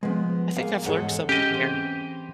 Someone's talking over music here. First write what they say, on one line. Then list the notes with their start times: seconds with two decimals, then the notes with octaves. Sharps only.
Hmm, I think I've learned something here.
0.03 F3 G#3 B3
0.57 A#3 G#4 F5
0.85 E2 G#2 G#4 A4 C#5 F#5
1.29 C#4 G4 D#5
1.50 E3 C4